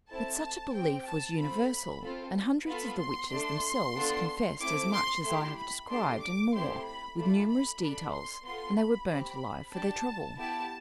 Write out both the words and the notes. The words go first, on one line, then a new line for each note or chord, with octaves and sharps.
But such a belief was universal, and hundreds of the witches themselves confessed as much as I have described, and more, with numerous details, and they were burnt alive for their trouble.
C4 E4 A4 A5
C4 G4 G5
A5
C4 F4 A4 B5
C4 F4 A4
B3 F4 A4 B5
C6
A3 D4 A4
B3 D4 F4 A4
A3 C4 E4 D6
C6
A3 E4 G4 C6
B5
A3 D4 G4 C6
D6
A3 C4 E4 G4 C6
B5
A3 D4 F4 A4 B5
B5
D4 A4 B5
C6
B3 F4 A4 C6
B5
C4 G4
D4 G4 A5
B3 E4 G4 A5